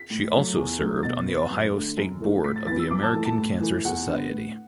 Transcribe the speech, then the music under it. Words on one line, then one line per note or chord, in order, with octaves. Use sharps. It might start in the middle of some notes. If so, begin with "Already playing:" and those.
She also served on the Ohio state board of the American Cancer Society.
Already playing: B6
A2
F#3 A3
E2
D3 F#3 A3
B2 A6
B3
F#2
D3 A3
F#2
E3 A3
A2 B6
A6
E3 B3 A6
E6
F#2 D6
A5
E3 A3 A5
A5
A2
E3 A3
E2 F#5
D3 B3
A2